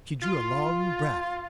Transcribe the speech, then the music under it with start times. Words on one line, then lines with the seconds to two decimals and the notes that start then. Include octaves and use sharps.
She drew a long breath.
0.22 F4